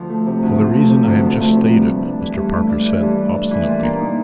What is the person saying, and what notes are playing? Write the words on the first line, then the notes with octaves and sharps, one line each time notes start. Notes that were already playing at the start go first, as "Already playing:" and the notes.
"For the reason I have just stated," Mr. Parker said obstinately.
Already playing: D2 F3
A3
C3
D2
F3
A3
C3
D2
F3
A3
C3
G2
A3
D4
E3
G2
A3
D4
E3
G2
A3
D4
E3
A#2
A#3
D#4